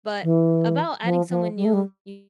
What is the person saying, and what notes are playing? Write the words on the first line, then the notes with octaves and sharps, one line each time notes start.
but about adding someone new, you
E3
F3
F3
G3
A3
G3